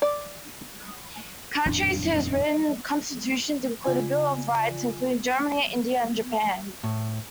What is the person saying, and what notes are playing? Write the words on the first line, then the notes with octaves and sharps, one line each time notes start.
Countries whose written constitutions include a bill of rights include Germany, India and Japan.
D5
D#1 F2 A2 D4
C#3 F4 D5 G#5
A2